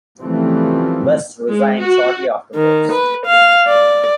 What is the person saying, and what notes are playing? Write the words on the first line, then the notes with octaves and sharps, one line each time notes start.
West resigned shortly afterwards.
C#3 E3 F3 G3 A3 C4
G#3
F#4
D#3
B4
F5
D5